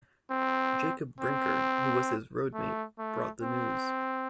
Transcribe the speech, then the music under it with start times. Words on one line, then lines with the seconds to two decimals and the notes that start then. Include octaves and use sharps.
Jacob Brinker, who was his roadmate, brought the news.
0.31 C4
1.20 C4
2.54 A3
2.98 A3
3.43 C4